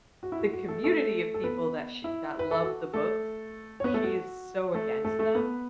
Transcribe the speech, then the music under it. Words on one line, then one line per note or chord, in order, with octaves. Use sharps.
the community of people that sh that loved the books, she is so against them
F#4
E4
F#4
F#4
A3 A4
A3 A4
A4
B3 B4
E4
B4
A4
F#4
A3 A4
C#5
B3 B4
A3 A4
F#4
A3 A4
A3 A4
A3 A4
B3 B4